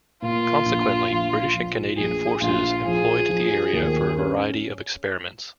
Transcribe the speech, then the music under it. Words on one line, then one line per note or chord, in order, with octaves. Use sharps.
Consequently, British and Canadian forces employed the area for a variety of experiments.
A#2 F4
A#1
A#1
F3
A#1 G#4
A#1 F4
F3 G#4
F3
D#2
C#4